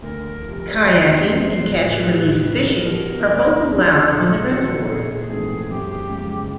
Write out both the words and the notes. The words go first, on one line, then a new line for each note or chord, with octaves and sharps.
Kayaking and catch-and-release fishing are both allowed on the reservoir.
D2 A#4
C3 F3
E2 C5
B2 G#3 B3 D4
C5
A1 B4
A2 E3 G3
C2 B4
A#4
A4
B4
A#4
B2 G3 B3
D2
F3
C#3
A#2 A4
F#3 B3 E4
A#1 G#4
G#2 E3 A3 C4 G#4
F#2 G4
C#3 F3 G#3